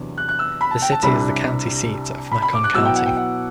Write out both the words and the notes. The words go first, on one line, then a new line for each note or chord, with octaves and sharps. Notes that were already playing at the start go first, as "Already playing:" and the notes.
The city is the county seat of Macon County.
Already playing: E2 C3 F#3 B3 D4
F#6
F#6
E6
B5
A5
G5
A5
C2 C3 G3 D4 B5
B5
B5
D6
F#6
B2 F#3 B3 E4 E6
G5
F#5
G5
F#5